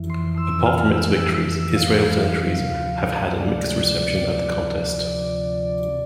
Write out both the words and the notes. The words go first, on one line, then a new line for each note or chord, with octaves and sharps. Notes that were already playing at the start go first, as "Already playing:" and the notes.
Apart from its victories, Israel's entries have had a mixed reception at the contest.
Already playing: F2 E3
C6
E6
F6
E6
E6
F5
D2 C3 F3
D5